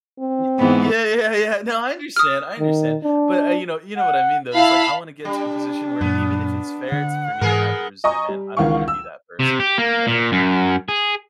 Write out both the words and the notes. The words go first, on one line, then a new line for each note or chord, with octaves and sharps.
Yea yea yeah yeah yeah, no, I understand I understand, but, uh, you know you know what I mean, though, it's, like, I want to get to a position where even if it's fair it's for me to have the resentment, I don't wanna be that person, you know what I mean,
C4
G#2 E3 B3
D#6 F6
D#3
D4
F#5
E4 F5 A5 B5
G3 D4
F#2 A#2 B3
D3 D4 F#5
G#2 E3 B3 G#4 A#4
D#5 G#5 A#5 C#6 D#6
G3
C#2 D#3 E3 F5 F#5 C#6
E6
C3
G4
A#3
A#2
F#2
G#4